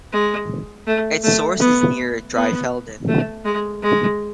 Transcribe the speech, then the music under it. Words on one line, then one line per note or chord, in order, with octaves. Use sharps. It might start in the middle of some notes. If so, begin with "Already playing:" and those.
Its source is near Dreifelden.
G#3
A3
A3
B3
B3
A3
G#3
G#3